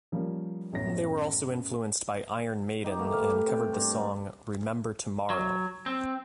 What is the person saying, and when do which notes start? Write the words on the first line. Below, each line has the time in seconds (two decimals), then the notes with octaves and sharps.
They were also influenced by Iron Maiden, and covered the song Remember Tomorrow.
0.12 F3 G3 A#3 C#4
0.72 A1 F#2 A2 B3 C#5 A#6
2.84 D#4 G4 D6
2.97 E3 A3 A#3
3.13 F5 B5
3.48 C3 G5
3.73 G2 D4 G5
5.30 F#3
5.86 C4